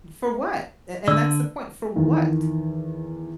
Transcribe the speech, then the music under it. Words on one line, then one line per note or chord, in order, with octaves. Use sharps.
for what, a and that's the point, for what?
D3 D5 E6
E2 D#3